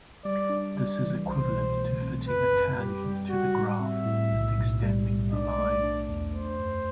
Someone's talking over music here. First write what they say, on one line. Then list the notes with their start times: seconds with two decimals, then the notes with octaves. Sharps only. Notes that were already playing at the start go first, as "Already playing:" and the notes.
This is equivalent to fitting a tangent to the graph and extending the line.
0.24 G3 D5
0.50 D4
0.76 G3 D5
1.01 E3
1.26 C2 C5
1.52 B2
1.78 A3
2.02 C4
2.28 F#2 B4
2.54 F#2
2.78 G3 G4
3.04 G3
3.29 G3 F#4
3.55 A2
3.80 C4 E5
4.06 A2
4.31 B1
4.57 B1
4.83 G3
5.08 B1
5.32 D4 D5
5.58 A3
5.83 D4
6.09 E2
6.34 A3 C5
6.60 F#2